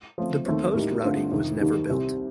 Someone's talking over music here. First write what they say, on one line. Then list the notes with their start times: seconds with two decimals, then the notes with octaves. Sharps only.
The proposed routing was never built.
0.18 F3 A3 C4
0.46 D#2 D#3 A3 C4
0.74 A2 G3 A#3 D#4
1.03 D3 A3 C4 F4 C5
1.31 F2 C3 D#3 G3
1.61 D#2 D#3 G3 A#3 D#4
1.89 C2 C3 G3 C4